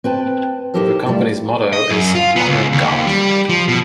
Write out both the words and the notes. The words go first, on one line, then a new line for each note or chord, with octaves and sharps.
The Company's motto is "Honour God".
C4 B4 G5 A5
D#4 E4 G4 A4 A#4 C5
G3 A3 E4 F4
D#5
F#2
F4
B3
C#2
D#2
G3
F3
B2